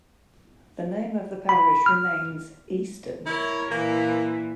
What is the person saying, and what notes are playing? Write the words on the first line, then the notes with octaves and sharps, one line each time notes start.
The name of the parish remains Easton.
B5
F6
E4 A#4 C#5
A#2 E3 A#3